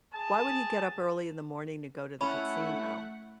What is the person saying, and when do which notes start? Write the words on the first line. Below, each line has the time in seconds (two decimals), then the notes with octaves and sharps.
Why would he get up early in the morning to go to the casino?
0.14 G#4 A5
2.21 A3 C#4 E4 F#5 B5